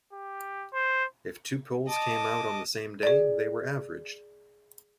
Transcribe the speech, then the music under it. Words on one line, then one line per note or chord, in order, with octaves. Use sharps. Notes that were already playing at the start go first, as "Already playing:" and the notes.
If two polls came out on the same day, they were averaged.
G4
C5
D#5 A5 D6
G#4 D5